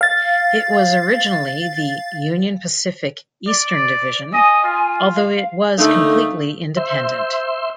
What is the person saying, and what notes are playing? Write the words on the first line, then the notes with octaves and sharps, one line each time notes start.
It was originally the "Union Pacific, Eastern Division", although it was completely independent.
F5 A6
D5
D#5 G#5
F4
F5
D3 A3 A#3 D#4
C5 E5 C6